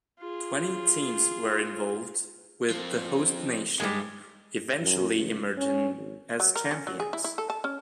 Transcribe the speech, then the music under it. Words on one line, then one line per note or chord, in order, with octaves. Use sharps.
Twenty teams were involved, with the host nation eventually emerging as champions.
F4 G#4
F3 C4
G2 G3 G#3
F#2
C#2
C#4
G#1
F#3
A#4
C#4
F#3
G#4
E4
E4
A4
A5
C#4